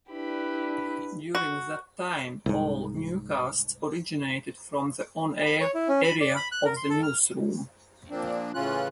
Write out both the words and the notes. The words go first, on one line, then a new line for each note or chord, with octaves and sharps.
During that time, all newscasts originated from the on-air area of the newsroom.
D4 E4 G4 B4 B5
F#4
C2 G#2
B5
C#5
E4
C#4
B5
D5
B5
F#6
A#4
C6
A4
F6
A#2 F3 A#3 C4 D4
A2 C#3 E3 C#4 F4 F#6